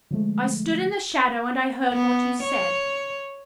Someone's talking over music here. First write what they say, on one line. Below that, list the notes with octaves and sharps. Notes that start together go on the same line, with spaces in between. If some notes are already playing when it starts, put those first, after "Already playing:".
I stood in the shadow, and I heard what you said.
D3 F3 G#3 A3
B3
C#5